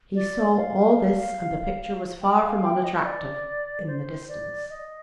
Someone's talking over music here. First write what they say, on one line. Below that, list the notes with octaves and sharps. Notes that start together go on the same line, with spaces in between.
He saw all this, and the picture was far from unattractive--in the distance.
D5
F5
G5
F5
G5
D#5
D5
C5
D5
D#5